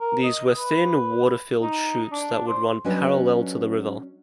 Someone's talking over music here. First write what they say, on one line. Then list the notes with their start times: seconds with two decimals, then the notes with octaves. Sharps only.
These were thin water filled chutes that would run parallel to the river.
0.01 A#4
0.24 D#5
0.57 B4
1.62 D#4
2.12 D4
2.48 C5
2.84 F#3 C#4 D4 B4 D#5